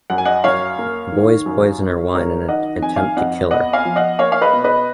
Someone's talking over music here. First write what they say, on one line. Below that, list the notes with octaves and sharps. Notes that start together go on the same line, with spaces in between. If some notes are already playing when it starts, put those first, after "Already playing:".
The boys poison her wine in an attempt to kill her.
F#2 F#5
G#5
D#5 F#5
F#2 C#5 F5
A#3
D#3
F#2
F#2
F#3 A#4 C#5
D#3 D#5 F#5
F2 G#5
F5 G#5
F2 D#5 F#5
B3 D#5 F#5
F5 G#5
F3
D#5 F#5
A#3 C#5 F5
F5
B4 D#5
B2
B4 D#5